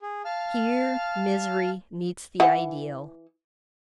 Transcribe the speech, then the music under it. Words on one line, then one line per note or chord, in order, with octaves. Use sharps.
Here misery meets the ideal.
G#4
F5 A5 F6
E3 F#5